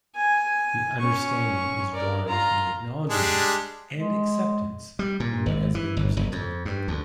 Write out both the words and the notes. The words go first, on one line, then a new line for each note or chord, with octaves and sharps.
The understanding is drawn from the acknowledgment and acceptance of what has been presented.
G#5
C#4 C#6
A#4 D5
F4 A#5
G3 G#3 D4
G#3
G3
A#2
G#1
E3
G1
F#1
F2
G2
D2